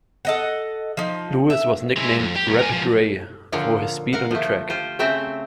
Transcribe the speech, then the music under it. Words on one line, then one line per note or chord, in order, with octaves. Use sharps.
Lewis was nicknamed "Rapid Ray" for his speed on the track.
A4 D#5 F#5
F3 D#4
E5
G#3 E4
F2
G4
B1 F#3
A#4 G#5
G#2 F3
A#2 D3 F3 C#5 F5
A#4 F5 F#5
F3 A3
F4 G4 C5
C#3 A3 C4 C5 E5 A#5